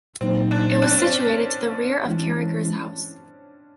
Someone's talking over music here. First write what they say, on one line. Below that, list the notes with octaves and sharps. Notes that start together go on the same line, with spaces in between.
It was situated to the rear of Carragher's house.
A#2 F#3 A#3 C4 D#4
D4
D4
C#4
C4
C#4
E3 G#3 C#4 E4